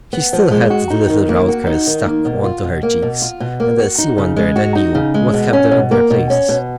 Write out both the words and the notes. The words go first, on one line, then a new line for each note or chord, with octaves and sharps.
She still had the little round curls stuck on to her cheeks, and Elsie wondered anew what kept them in their places.
B3
F3
G#3
F#4
D#4
D#3
A#3
F#4
D#4
D#3
A#3
B2
F4
B2
A#3
B2
F4
B2
A#3
F#4
D#4
C#3
G#3
F#4
D#4
C#3
G#3
B2
C#4
B2
A#3
B2
C#4
B2